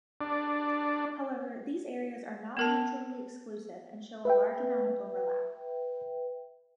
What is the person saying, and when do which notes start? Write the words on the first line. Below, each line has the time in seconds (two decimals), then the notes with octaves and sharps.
However, these areas are not mutually exclusive and show a large amount of overlap.
0.21 D4
2.57 B3 A#4 A5
4.25 B4 E5 G5